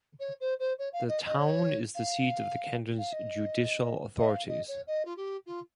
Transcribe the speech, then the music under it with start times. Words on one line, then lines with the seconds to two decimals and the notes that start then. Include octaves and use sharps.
The town is the seat of the canton's judicial authorities.
0.20 C#5
0.40 C5
0.59 C5
0.79 C#5
0.93 F5
1.08 D#5
1.26 D#5
1.37 C#5
1.95 F5
2.98 F5
3.13 D#5
4.18 D#5
4.29 F5
4.48 D#5
4.68 C#5
4.87 D#5
5.05 F4
5.17 G4
5.46 F4